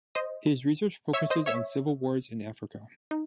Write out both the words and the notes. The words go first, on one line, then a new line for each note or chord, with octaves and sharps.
His research focuses on civil wars in Africa.
C5 D#5
C#5 E5
C5 D#5
C#5 E5
D#4